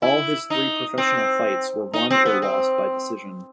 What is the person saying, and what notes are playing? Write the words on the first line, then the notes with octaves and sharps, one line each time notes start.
All his three professional fights were won or lost by decision.
E4
D#4
C4
D#4
C4
B3
C4